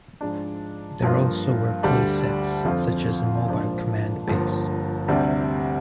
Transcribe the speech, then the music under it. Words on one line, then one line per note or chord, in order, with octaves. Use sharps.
There also were play sets such as a mobile command base.
G#2 F3 G#3 D4
G2 F3 A#3 F4
D2 D3 G3 D4
F2 D3 F3 C4 F4
A#1 G#2 F3 A#3 D4
G1 G2 F3 A#3
D2 C3 G3 D4